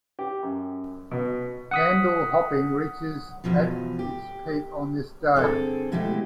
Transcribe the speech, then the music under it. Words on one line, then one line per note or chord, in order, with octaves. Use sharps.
Pandal hopping reaches at its peak on this day.
G4
F#2
B2
F#5 D#6 B6
E2 G2 B2 E3 F3
G4
D3 C4 G#4 A4
B2 G#3 A3 E4 G4